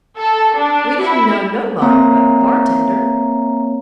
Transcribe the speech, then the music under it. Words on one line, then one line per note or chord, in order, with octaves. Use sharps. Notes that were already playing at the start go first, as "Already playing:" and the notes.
We didn't know nobody but the bartender.
A4
D4
E4
A#3 C4 C#5 E5 A#5